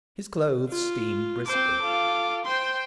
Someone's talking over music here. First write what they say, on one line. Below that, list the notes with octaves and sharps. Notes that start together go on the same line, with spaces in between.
His clothes steamed briskly.
F4
C4 C5 D6
F4 A4
C5 G5 C6